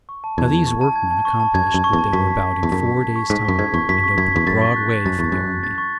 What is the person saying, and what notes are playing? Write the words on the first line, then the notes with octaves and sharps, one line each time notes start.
Now these workmen accomplished what they were about in four days' time, and opened a broad way for the army.
C#6
A5
E2 G#6
A5
C#6
A5
G#6
A5
C#6
A5
F#2 G#6
A5
F#2
C#6
E2
A5
F#2 B6
C#6
G#6
C#6
E2
F#2 B6
C#6
G#6
C#6
G#2 B6
F#2 C#6
G#2 G#6
E2 C#6
F#2 B6
C#6
F#2 G#6
E2 C#6
F#2 A6
C#6
F#6
C#6
F#2 A6
E2 C#6
F#2 F#6
C#6
A6
C#6